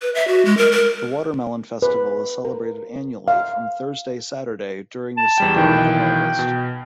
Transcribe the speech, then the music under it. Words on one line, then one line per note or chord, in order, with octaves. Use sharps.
The Watermelon Festival is celebrated annually from Thursday-Saturday during the second week of August.
B4
E5
F#4
G#3
A#4
A#4
B4
A#4
F5
A5
E2 G3 G5
B1 D#3 E3 G5
B2